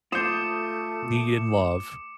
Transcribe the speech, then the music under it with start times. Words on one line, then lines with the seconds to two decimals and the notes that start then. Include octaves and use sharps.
need, and love,
0.12 A3 F4 C5 D6 D#6 G6 C#7 E7